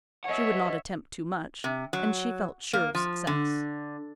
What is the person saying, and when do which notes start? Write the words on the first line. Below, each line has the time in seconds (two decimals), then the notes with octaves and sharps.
She would not attempt too much, and she felt sure of success.
0.24 C#5 D#5 E5 F#5
1.64 C3
1.93 F#3
2.73 A#3
2.95 F3
3.27 D3